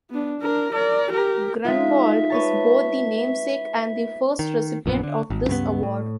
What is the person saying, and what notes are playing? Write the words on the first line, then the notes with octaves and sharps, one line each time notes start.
Grunwald is both the namesake and first recipient of this award.
B3 D4
D4 A#4
A#4 D5
G4 A#4
G#3 D#4 F4 E5
B4 C#5 A5
D#3
A#1 F#2 A#2 B3
D3
G#1
C#2 G2 F3 B3
A2